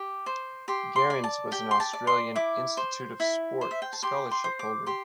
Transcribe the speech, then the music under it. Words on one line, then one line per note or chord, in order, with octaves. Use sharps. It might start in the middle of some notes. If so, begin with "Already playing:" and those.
Gerrans was an Australian Institute of Sport scholarship holder.
Already playing: G4
C5
G4 C6
C6
D5
A5
G4 G5
C6
A5
D5
C6
E4 D6
C5
E4
C5
E5
G5
A5
G4 C6
C6
C5
D6
G4 C6